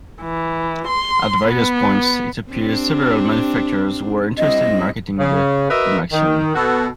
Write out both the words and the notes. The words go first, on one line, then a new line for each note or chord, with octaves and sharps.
At various points, it appeared several manufacturers were interested in marketing the Dymaxion.
E3
C6
B3
C4 D4 G4
G3 C4 E4 D#5
C#3
F#4 A#4 B4 D#5 E5
D#3
B2 F#4 A4